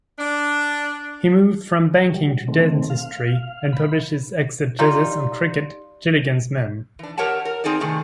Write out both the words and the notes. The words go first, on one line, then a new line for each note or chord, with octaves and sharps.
He moved from banking to dentistry, and published his exegesis on cricket, "Gilligan's Men".
D4
F#3 G3
D#3 A3 C4
F5
B5
G3 D#4 F4
E3 D4
G4 A#4 C#5 E5 F#5 A5
A#4
C4 D#4 G#4 A4 D5
A2 C3 D#3 A3 G#4